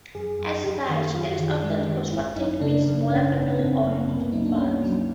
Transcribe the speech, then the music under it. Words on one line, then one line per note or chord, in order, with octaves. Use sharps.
As such, it is often contrasted with smaller family-owned farms.
F#2 G#4
F#2
F#2 G4
D#3
F#2 F4
D#3
G#3
D#3
G#1 E4
F#2 D#4
C#3 D4
F#2
G#1 C#4
G#1
G#1 C4
F#2 A#3
C2 A#3
B3
F#3 D#4
D4
C2 C#4
F#3